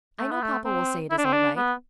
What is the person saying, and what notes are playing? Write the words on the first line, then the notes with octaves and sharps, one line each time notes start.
I know Papa will say it is all right.
A3
B3
A3
C4
E4
D4
C4
D4
B3